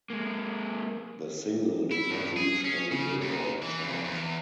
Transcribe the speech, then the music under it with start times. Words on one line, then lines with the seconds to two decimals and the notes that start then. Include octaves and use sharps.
The single did not reach any Billboard chart.
0.10 G#3 A#3
1.91 E4
2.10 G2
2.37 G#4
2.65 C#4
2.92 C#3
3.21 D#2
3.62 E3
3.84 F2
4.04 E2